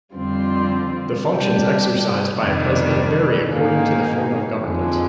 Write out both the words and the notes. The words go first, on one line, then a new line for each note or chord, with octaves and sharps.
The functions exercised by a president vary according to the form of government.
F2 D3 G3 C4 F4
C3 G3 D4 G4
F2 C3 D#3 G3 D4
G#2 D#3 A#3 D#4 G#4
F2 D3 F3 G#3